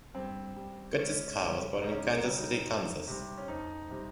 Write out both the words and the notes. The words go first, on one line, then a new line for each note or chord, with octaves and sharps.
Curtis Carr was born in Kansas City, Kansas.
G2 C4
G3
C#2 C#4
C#3 G3
C#2 D#4
C#4
D#4
A#4
C#3 G3
D#4
F2
C3 G3
C#4
F2 D#4
C3 G3